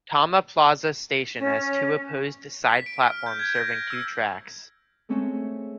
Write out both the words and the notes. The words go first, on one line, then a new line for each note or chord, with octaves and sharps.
Tama Plaza Station has two opposed side platforms serving two tracks.
C#4
B6
D7
F6
G6
G#6
A#6
E6
G#3 A3 C4 C#4 C#5 E5